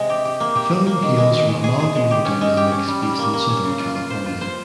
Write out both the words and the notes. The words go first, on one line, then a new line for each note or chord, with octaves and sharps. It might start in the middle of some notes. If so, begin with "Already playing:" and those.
The film hails from Amalgamated Dynamics based in Southern California.
Already playing: C3 G#3
G4
G4
A#3
G4
F3
A#3
D#3
G#3
D#3
G#3
G#4
G#4
G#3
G4
C#4
G#3
G4
C#4
G3
G3
A#3
A#3
C#4
C#3
F4
F4
C5
F4
C5